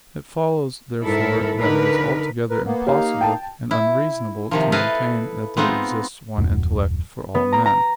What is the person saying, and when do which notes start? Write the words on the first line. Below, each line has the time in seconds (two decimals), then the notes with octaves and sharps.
It follows, therefore, that it is altogether impossible and unreasonable to maintain that there exists one intellect for all men.
1.04 G#2 E4 A4 A#4
1.58 D3 D#4 A#4 B4
2.50 A#4 B4
2.66 A#3 B3
2.87 A#3 D#4 G4 C#5 F5
3.21 G5 A5
3.71 E4
4.51 C3 D#3 F3
4.72 E4 A4 B4 D#5 F5
5.57 G#3 B3 C4 D#4 F4
6.38 D#1 F#2
7.35 B3
7.52 A#5
7.66 A#5